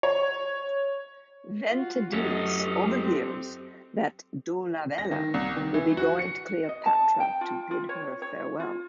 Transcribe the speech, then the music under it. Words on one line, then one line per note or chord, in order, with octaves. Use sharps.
Ventidius overhears that Dolabella will be going to Cleopatra to bid her farewell.
C#5
F4 F#4
F#2 A3 G4 A4 D#5
C4
A#6
D#3
C2
D#3
E3
F#4
C#7
D#5
A5
G5
F4
F4
C#5
C#5
F4